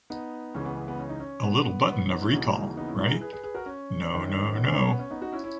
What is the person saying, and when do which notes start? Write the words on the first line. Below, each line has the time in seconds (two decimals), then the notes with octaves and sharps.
The little button of re-call, right? No, no, no ...
0.10 B3 D#4
0.54 C#2 C#3 E3 C#4
0.65 B3
0.77 B3
0.88 B3
0.99 C#4
1.09 D#4
1.20 C#4
1.43 B3
1.66 B3
1.88 B3
1.99 C#4
2.10 B3 D#4
2.21 C#4 E4
2.32 D#2 C#3 E3 D#4 F#4
2.77 B3 D#4
2.88 C#4 E4
2.99 D#4 F#4
3.05 A#4
3.10 E4 G#4
3.21 G#4 B4
3.32 G#4 B4
3.44 G#4 B4
3.55 F#4 A#4
3.66 C#4
4.10 F#2 D#3
4.55 B3
4.66 C#4
4.72 D#4
4.77 C#4
4.88 B3
4.99 C#4
5.10 B3 D#4
5.22 D#4 F#4
5.32 C#4 E4
5.44 C#4 E4